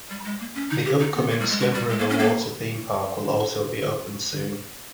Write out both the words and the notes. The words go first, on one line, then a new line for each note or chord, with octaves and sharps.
The upcoming Slim River Water Theme Park will also be opened soon.
G3
G#3
A#3
C#4
D#4
G4
D#4
B3
A#3
G3
G#3
G#3
G3
G#3
A#3
C#4
A#3